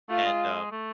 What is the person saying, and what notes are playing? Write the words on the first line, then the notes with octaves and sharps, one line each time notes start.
and, um
A3 F4
G#3
A3